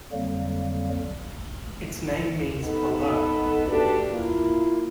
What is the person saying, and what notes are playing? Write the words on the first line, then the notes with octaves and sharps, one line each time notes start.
Its name means "below".
F2 D3 F#3 G3 A#3
B3 D#4 A4
A3 D4 F#4 G4 A4 B4
A#3 E4 F4